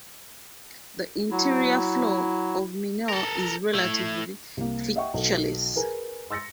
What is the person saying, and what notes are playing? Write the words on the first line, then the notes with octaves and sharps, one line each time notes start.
The interior floor of Mineur is relatively featureless.
F#3 E4
A4 A#4
A3 E4
C2 A#3
D#5 E5 F#5 G5 C#6
B1 A4
G#4 A#4 B4 G#5
C6 E6 A6 A#6 C#7